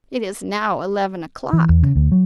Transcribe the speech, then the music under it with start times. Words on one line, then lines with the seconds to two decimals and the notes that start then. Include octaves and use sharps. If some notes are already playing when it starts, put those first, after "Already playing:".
It is now eleven o'clock.
1.53 E3
1.69 E2
1.83 C#3
1.95 D2
2.12 F#3